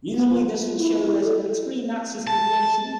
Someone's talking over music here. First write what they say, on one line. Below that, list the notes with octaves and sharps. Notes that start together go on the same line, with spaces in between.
Usually this would show as an extreme axis deviation.
B3
F4
E4
A4
A5